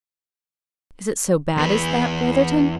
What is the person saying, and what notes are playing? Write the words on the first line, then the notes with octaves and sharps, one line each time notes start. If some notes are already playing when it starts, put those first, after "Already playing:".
"Is it so bad as that, Brotherton?"
E2 B4